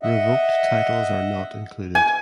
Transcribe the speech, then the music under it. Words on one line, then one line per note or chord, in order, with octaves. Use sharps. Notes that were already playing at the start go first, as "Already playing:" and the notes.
Revoked titles are not included.
D#5 E5 F#5
G#5